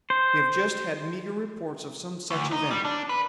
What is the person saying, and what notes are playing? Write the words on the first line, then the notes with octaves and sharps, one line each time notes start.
"We have just had meagre reports of some such event."
C5
D2
D#4
G3
D4
B4